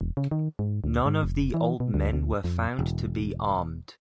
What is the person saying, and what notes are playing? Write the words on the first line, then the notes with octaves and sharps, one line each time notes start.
None of the old men were found to be armed.
E1
C#3
D#3
G#2
D2
G#2
F1
E3
B2
D2
D2
F2
E1